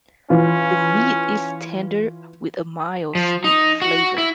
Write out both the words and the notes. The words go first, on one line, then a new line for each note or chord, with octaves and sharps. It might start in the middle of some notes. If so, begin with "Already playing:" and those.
The meat is tender with a mild sweet flavor.
E3 C#4 F4
F3
D#4
F#4
E4